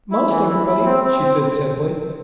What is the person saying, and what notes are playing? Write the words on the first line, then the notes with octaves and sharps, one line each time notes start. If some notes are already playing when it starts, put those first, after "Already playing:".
"Most everybody," she said simply.
E4
E3
E4
E4
C4
C4
C4